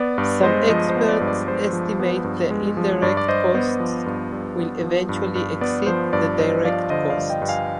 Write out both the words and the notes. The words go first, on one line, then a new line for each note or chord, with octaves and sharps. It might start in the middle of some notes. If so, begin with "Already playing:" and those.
Some experts estimate the indirect costs will eventually exceed the direct costs.
Already playing: B3 D5
G2 D5
G#3 C5 D#5
F3 C5 D#5
C5
B3
D5
G2
D5
G#3 C5
F3
B3
G2
G#3
F3
G2 D5
D5
G2 C5 D#5
B3 C5
F3
G2
G2
B3
F3
G2
G2
B3 D5
F3 C5
G2 D5
G2 C5 D#5
F3 D5 F5
D3 C5 D#5
D5 F5
G2
D#5 G5
G2
F5 G#5